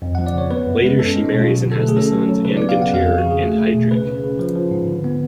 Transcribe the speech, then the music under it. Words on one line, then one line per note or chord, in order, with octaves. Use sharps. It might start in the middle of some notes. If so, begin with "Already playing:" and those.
Later she marries and has the sons Angantyr and Heidrek.
F2
F3 F#5
D5
C#3 C#5
B3 B4
F#2
G#3
C#4 A4
G#3
B2
F4
F#3 F#4
D3
A4
A3
G#4
C#4 A4
F#3
F#3
C#3 B4
B3 D5
F5
C#3 F#5
F2 F5
F3 G#4
F#4
C#3 G#4
A3
A3
B2
C#3 B4
C#3
C#3
F3
F3
G#2
D3
B3